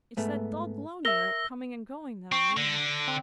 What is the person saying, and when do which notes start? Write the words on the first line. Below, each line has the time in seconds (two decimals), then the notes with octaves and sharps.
It's that dull glow near it, coming and going, that I mean.
0.17 G#2 A3 B3
1.05 A#4 E5 E6 A#6 G7
2.32 C4 C#6
2.57 D3 A#6
3.08 C4